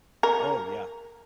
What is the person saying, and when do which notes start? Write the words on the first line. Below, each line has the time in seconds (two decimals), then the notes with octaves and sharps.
Oh, yeah.
0.23 A#4